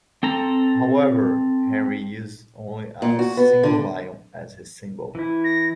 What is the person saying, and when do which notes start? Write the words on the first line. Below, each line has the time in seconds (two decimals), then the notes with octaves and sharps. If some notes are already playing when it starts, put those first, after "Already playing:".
However, Henry used only a single lion as his symbol.
0.23 C4 A4 A#5
3.02 A#2
3.19 F#4
3.37 B3
3.63 D3
5.15 E3 E4
5.44 A#6